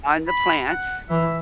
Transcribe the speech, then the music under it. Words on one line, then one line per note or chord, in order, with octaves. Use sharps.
on the plants,
B5
F#5
E3 E5